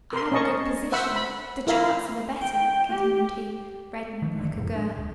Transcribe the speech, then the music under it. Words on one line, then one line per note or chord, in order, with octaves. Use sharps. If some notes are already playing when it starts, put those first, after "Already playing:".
I have a good position--the chance of a better,' continued he, reddening like a girl.
A#4 C6
C#4 A#4 D#5 A5 C#6
C5 E5 F#5 B5 E6
B5
E4 A#4 F5 B5
G5
G4
D#3 F3
F#1 D3
F2 A2 F#3
D4
D1